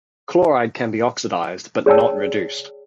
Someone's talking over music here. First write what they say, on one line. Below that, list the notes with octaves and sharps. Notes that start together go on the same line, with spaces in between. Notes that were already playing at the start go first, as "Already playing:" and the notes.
Chloride can be oxidized but not reduced.
G#4 C#5 D5 G5 A5 E6